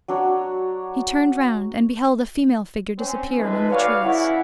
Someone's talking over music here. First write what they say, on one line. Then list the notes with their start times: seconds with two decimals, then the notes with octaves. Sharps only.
He turned round, and beheld a female figure disappear among the trees.
0.08 F#3 D4 F#4 C#5
2.99 C4 C#4
3.38 F3 G#3 A3 D#4 A4 B4
3.71 F#4 B4 C#5 D5 F5
4.03 C#3 E4 F#5